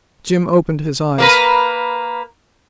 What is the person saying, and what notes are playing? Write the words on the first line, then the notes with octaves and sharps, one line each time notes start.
Jim opened his eyes.
A#3 A#4 B4